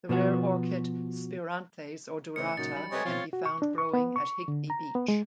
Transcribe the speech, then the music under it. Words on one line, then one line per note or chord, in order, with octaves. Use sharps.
The rare orchid Spiranthes odorata can be found growing at Higbee Beach.
B2 F3 B3 F#4
A2 C#3 C4 D#4 C#7
F#2 A#2 C#3 D#4 A6
G3 B5
C3 A3 B4 C#5 D#5 G#5
B2 F3 C4 F4 C#5
F#4
C#6
D4
C#6
B3
C#6
D3
A#5
B3
G#3